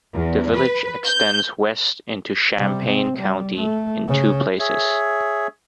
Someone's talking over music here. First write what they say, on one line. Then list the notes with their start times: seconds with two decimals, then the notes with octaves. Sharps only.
The village extends west into Champaign County in two places.
0.14 E2
0.56 B4
1.08 G6
2.57 C3 G3
2.86 C4
3.17 G3
3.55 A3
4.08 C#3
4.59 G#4 C#5 E5